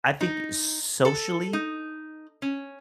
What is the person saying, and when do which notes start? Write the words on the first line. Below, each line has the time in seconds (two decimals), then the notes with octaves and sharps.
I think socially,
0.21 D#4
1.05 A4
1.53 D#4
2.42 C#4